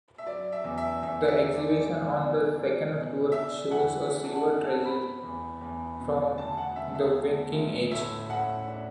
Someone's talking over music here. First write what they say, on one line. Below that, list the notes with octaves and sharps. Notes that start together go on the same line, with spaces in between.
The exhibition on the second floor shows a silver treasure from the Viking age.
E5
F#3 D5
E5
E2
E5
E2 E5
E5
D3
D5
D4
B2
D4
B2
D4 E5
E3 F#5
D4
A5
F#5
F#2
A5
B3 B5
E2
E2
B2
D2 A5
F#5
D2 E5
E5
D2
D2
A2 E5
A2 F#5
D4